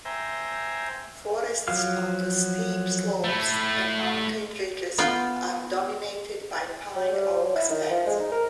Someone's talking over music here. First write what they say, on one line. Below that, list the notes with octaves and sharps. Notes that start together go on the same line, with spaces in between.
Forests on the steep slopes and mountain ridges are dominated by pine-oak stands.
C5 E5 G5 G#5 A#5
F3 F#3 F5 F6
A3 E4
B3 F4 G5
F#3
G3
F#3
E4
D#3
F3
G#3
D#4
A#4